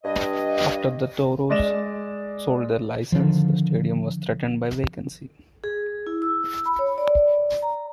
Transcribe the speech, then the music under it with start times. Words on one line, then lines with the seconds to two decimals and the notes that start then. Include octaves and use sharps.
After the Toros sold their licence, the stadium was threatened by vacancy.
0.04 G2 D#5
1.49 G#3 D5 A#6 E7
3.12 D3 D#3 F3
5.64 G#4
6.07 E4
6.22 E6
6.66 B5
6.79 C#5
6.98 D5
7.62 A#5